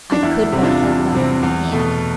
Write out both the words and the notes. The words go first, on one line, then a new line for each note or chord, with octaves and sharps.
I could but hold out my hand.
D4
E2 E4
E4
C3 G3 C4
D4 F4
E2 E4
C3 G3 C4
E2
B2 A3